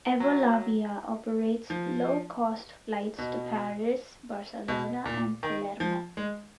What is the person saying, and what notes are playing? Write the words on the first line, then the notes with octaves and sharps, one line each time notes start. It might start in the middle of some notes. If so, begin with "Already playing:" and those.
Evolavia operates low cost flights to Paris, Barcelona, and Palermo.
F#3
F3
B2
B2
A#2
D#3
F3
G#3